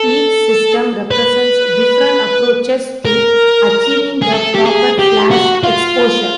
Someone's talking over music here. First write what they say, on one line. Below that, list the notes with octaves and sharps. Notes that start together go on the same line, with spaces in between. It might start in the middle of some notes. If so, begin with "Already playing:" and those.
Each system represents different approaches to achieving the proper flash exposure.
Already playing: A4
B4
A#4
G#4
A4
G4
G#4
G4
F#4
F4